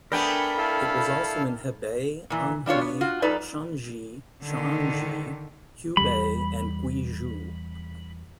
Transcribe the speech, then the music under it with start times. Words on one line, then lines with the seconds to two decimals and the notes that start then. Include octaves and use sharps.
It was also in Hebei, Anhui, Shanxi, Shaanxi, Hubei and Guizhou.
0.12 A3 B3 D4 A#4 G5 G#5 B5
0.57 E4 A4 F5
2.30 A#2 E3
2.66 G3 D4 F4 C#5
2.81 B3
3.01 F4 F#4
3.22 F#2 D#4 A4 B4 D5
4.43 D3 D#3
5.97 E2 G3 B5